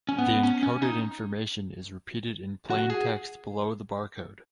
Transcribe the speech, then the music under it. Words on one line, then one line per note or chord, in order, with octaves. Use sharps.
The encoded information is repeated in plain text below the barcode.
C#4
B3
C#4
C#4
D#4
F#4
G#4